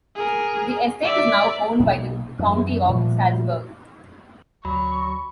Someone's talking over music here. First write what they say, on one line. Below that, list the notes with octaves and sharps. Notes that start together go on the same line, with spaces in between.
The estate is now owned by the county of Salzburg.
G#4 A#4
D5 E5
B1 B2 A#3 B3
F#2 E3
A#2 F3 G3 A3
D2 F#3 B5 C#6